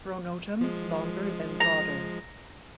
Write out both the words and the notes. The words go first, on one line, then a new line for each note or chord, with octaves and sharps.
Pronotum longer than broader.
F3 G#3
A#5